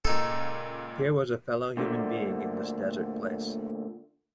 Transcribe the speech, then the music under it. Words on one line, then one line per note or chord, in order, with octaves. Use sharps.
Here was a fellow human being in this desert place.
C#2 A#2 D#4 A4
D2 A#2 D3